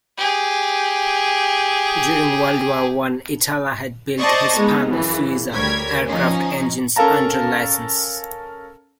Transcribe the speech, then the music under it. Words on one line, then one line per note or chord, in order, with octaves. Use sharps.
During World War One Itala had built Hispano-Suiza aircraft engines under license.
G4 G#4
C5 D5 D#5 A5 C#6 D#6
G#3 B3 D#4
F#2 C#3 E3
D2 G3 A#4 C#5 G#6 B6
F3 C#4 D#4
C#4 A4 A#4 F5 A5 A#5